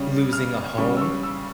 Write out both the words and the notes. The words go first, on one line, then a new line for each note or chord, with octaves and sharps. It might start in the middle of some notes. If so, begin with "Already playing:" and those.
losing a home.
Already playing: C#3 G3 C#4
F6
C#3 G3 C#4 C#6
E6
C#6
E6